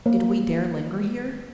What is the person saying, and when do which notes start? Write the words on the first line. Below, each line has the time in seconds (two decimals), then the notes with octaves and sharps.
Did we dare linger here?
0.06 A#3